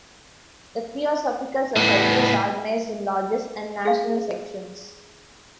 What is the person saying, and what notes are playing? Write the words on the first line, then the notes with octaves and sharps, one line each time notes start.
The Theosophical Society is organised in lodges and national sections.
A2 B3
G#4 F5